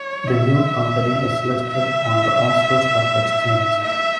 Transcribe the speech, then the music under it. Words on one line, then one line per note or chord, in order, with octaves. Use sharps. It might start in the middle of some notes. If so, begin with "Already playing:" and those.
The new company is listed on the Oslo Stock Exchange.
Already playing: C#5
E5
E5
E5